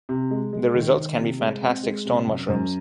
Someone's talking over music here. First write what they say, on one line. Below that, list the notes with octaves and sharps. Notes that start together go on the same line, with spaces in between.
The results can be fantastic stone mushrooms.
C3
G#3
G#3
D#3
D#3
C3
G#3
C4
G#3
C3
F#2
F#2